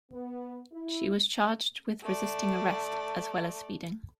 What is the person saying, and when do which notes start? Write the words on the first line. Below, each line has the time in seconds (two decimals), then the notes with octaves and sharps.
She was charged with resisting arrest as well as speeding.
0.11 B3
0.71 E4
2.03 A3 D5